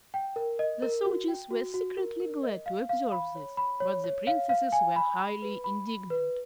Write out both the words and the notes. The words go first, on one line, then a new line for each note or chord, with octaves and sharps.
The soldiers were secretly glad to observe this, but the Princesses were highly indignant.
G5
A#4
D#5
A#4
F#4
G5
F#4
F#4
A#4
A#4
D#5
F5
F5
B5
C#5
B5
C#5
C#5
F5
F5
G#5
B5
B5
B4
B5
B5
B4